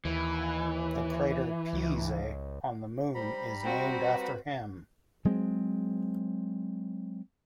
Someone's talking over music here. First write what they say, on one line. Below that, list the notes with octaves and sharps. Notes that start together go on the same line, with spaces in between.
The crater Pease on the Moon is named after him.
D#2 E3
C#2
G3 C5 A#5 B5
C4 F#4 G5
B4
F#3 G#3 C4